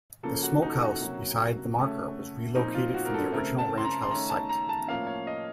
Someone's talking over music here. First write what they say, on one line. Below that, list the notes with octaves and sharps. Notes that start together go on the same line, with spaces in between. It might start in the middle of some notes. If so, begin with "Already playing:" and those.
The smokehouse beside the marker was relocated from the original ranch house site.
C#3 F3 A#3 C#4 A4
F#4
D#4
A4
F#4
C3 F#3 A#3 C#4
C#3 A3 C#4
A#2 F3 C4 D#4
F4
F#4
A#4
A4
C#3 A3 C4 A#4
A5
C6
A#5
C6
D#3 A3 C#4 A#5
A5
A#5
A5
A2 F3 A#3 C#4 F5
C#5
D#5